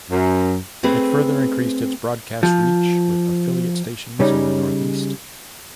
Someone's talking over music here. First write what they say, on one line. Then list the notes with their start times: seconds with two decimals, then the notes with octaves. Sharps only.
It further increased its broadcast reach with affiliate stations in the northeast.
0.10 F#2
0.83 A3 C4 G#4 A4 B4
2.43 F3
4.20 C#3 G3 C#4 D#4